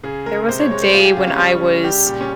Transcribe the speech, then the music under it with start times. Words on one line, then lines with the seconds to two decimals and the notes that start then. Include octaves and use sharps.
There was a day when I was
0.03 C#3 G#4
0.26 G#3 A#4
0.48 C3 C5
0.59 C#5
0.71 G#3 C#5
0.82 C5
0.93 G#3 F4
1.00 G#4
1.05 G4
1.17 C#3 F4
1.27 C#4
1.38 G3 C#4
1.62 C#3
1.84 G3 G4
2.07 A#2
2.21 C#4